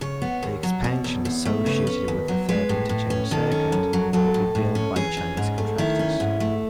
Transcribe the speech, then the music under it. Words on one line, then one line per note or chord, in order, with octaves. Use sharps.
The expansion associated with the Third Interchange Circuit will be built by Chinese contractors.
C#3 C#5
B3
D#2
F#3
B2
E2
E2
A3
C#3 B4
C#4
D#2
F#3
G#3 B4
A2
A2
C#4
D#3 A4
C#4
F#2
F#3
F#3 A4
A2
A2
C#4
E3 G#4
C#4
G#2
A3
D#3 E4
C#4
G#2
A3